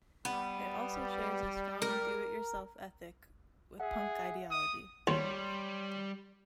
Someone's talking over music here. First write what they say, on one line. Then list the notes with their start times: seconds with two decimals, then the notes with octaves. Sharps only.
It also shares a strong do-it-yourself ethic with punk ideology.
0.25 G3 B3
1.82 A#4
3.80 G#4 E5 F#5
4.51 D#6
5.07 D#2 G3 C#5 C6